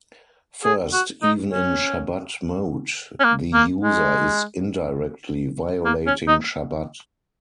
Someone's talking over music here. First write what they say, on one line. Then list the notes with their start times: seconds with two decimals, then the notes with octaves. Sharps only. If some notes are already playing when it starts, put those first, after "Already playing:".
First, even in Shabbat mode, the user is indirectly violating Shabbat.
0.64 G#4
0.93 F#4
1.22 D#4
1.51 C#4
3.20 C#4
3.24 A#3
3.54 A#3
3.82 G#3
5.85 A#3
6.06 C#4
6.28 D#4